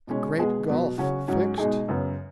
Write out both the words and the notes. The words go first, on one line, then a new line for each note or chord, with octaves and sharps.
A great gulf fixed?
B2 G#3 C#4
B2 G#3 B3 G#4
B2 F#3 B3
C#3 F#3 C#4 F#4
G#2 F#3 C#4 F#4
B2 G#3 D#4 G#4
F#2 C#3 B3